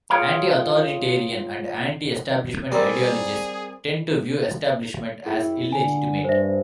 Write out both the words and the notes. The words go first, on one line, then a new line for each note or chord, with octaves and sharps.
Anti-authoritarian and anti-establishment ideologies tend to view establishments as illegitimate.
F4 G#4 C#5 F5 G5 A#5
G3 C4 G#4 A#4 D5
F#2 E4 G#4 G5
D3 G#5
G2 C5 E5